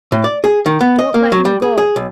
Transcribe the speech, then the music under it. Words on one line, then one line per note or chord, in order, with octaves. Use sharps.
"Don't let him go."
A2
D5
G#4
D#3
B3
D#5
A#3
F#3
G3
G#4
G#4
B1